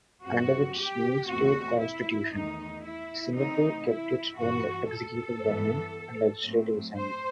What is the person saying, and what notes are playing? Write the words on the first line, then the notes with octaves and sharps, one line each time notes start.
Under its new State Constitution, Singapore kept its own executive government and legislative assembly.
G2 F#3 C4 F#4
G4
E2 B2 A3 C4 F#4
E4
E2 D#3 A3 D#4
E4
C3 E3 A3 C4 D#4
E4
G2 E3 B3 F#4
A4
G2 E3 B3
A2 F#3 C4
C5